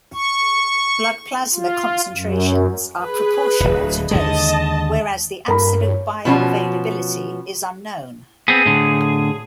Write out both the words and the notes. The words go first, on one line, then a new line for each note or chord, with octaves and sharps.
Blood plasma concentrations are proportional to dose, whereas the absolute bioavailability is unknown.
C#6
F4
F#2
G#4 B4
D1 G1
D#2 D3 G#3 D#5 A5
G2 A#4 A#5 B5
C#5
B2 F3 C#4 F#4
B3 C4 G#4
A2 D3